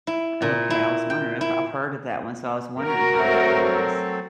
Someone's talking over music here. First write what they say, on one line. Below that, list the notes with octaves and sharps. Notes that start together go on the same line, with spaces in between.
Okay, I was wondering if I've heard of that one, so I was wondering how that was.
E4
A#2
E4
G5
E4
F#4 A#4
F#3 A3 C4